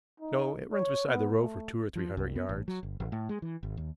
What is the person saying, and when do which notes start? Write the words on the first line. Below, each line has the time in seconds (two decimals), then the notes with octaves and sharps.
"No, it runs beside the road for two or three hundred yards."
0.20 D#4
0.73 C#5
1.08 B3
1.39 A3
1.96 F3
2.17 C2
2.36 B3
2.49 A1
2.68 F#3
2.83 G1
3.00 A1
3.12 A2
3.29 G#3
3.42 E3
3.63 G#1
3.77 D#2